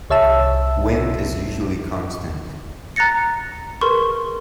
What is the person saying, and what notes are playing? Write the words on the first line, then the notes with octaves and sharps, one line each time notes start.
Wind is usually constant.
C2 C#5 E5 A5 E6
A#5 F#6 A6 A#6 C#7
G#4 A#4 B4 C6 C#6